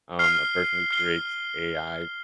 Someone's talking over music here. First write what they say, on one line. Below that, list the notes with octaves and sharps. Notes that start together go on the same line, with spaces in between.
um, a person who creates AI
F6 C7 G7
F6 C7 G7